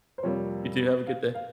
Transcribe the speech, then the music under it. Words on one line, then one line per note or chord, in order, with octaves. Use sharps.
You too, have a good day.
C5
F2 C3 G3 A#3 C#5
F5
F5